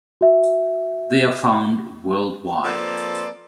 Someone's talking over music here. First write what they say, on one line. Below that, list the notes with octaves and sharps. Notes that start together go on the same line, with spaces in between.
They are found worldwide.
F#4 E5
F3 A#3 C4 A4 B4 D5